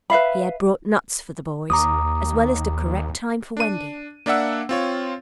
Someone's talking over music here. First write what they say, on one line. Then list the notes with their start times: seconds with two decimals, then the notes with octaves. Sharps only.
He had brought nuts for the boys as well as the correct time for Wendy.
0.10 B4 E5 F5 B5
1.70 D#2 A#5 D6 D#6
3.57 D4 D#7
4.26 A#3 D4 D5 E5 F#5 E6
4.69 C4 F4 C#5